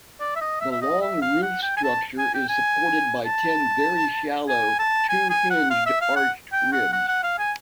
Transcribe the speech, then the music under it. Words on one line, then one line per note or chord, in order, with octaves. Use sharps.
The long roof structure is supported by ten very shallow "two-hinged" arched ribs.
D5
E5
D#5
E5
E5
D#5
E5
F5
F#5
G5
G#5
A5
G#5
G5
G#5
A5
G#5
A5
G#5
G#5
F#5
F5
E5
F5
F#5
G5
F#5
F#5
F#5
F5
G#5